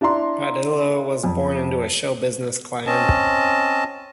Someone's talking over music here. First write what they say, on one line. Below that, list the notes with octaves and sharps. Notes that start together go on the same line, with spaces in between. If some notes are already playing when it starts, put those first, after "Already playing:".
Padilla was born into a show business clan.
D4 E4 E5 A#5 C6
F2
C4 C#4 D#5 A5